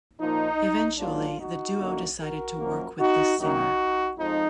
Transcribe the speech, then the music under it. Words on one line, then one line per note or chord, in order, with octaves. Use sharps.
Eventually, the duo decided to work with the singer.
A#2 F3 A#3 D#4
G#2 F#3 A#3 D4 F4
D#4 F#4
F#2 D3 F#3 A#3
F#4 A#4
F#2 F3 A#3
D#4 F#4
F#2 D#3 F#3 A#3 D#4 F#4
F2 F3 G#3 D#4